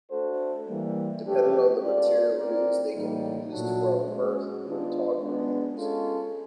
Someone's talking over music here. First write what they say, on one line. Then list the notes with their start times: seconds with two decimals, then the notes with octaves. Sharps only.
Depending on the material used, they can be used from birth through toddler years.
0.11 A3 D4 F#4 A4 C5
0.67 E3 G3 A#3
1.23 F3 A3 D4 G4 B4
1.81 G#3 C#4 F4 A4 D5
2.37 C4 F4 A#4 D5
2.95 A2 E3 G3 A#3 D#4
3.51 A#2 F#3 A3 D4 F#4
4.08 G#3 C#4 F#4
4.64 D#3 G#3 B3 D4 F4
5.21 G#3 B3 D4
5.77 G#3 C#4 F4 A4